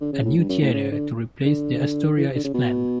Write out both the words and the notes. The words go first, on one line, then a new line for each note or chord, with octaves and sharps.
A new theatre to replace the Astoria is planned.
D3
C#3
A2
G2
F#2
A2
C#3
D3
D3
E3
D3
C#3
B2